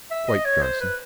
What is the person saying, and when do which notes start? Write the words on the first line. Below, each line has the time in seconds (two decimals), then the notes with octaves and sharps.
"Quite, Johnson."
0.11 E5
0.28 D#5
0.45 C#5
0.62 C5
0.80 B4